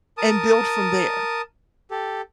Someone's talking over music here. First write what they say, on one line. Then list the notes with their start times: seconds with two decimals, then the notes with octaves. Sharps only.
And build from there,
0.18 A#4 A5 D#6
1.91 G4 A4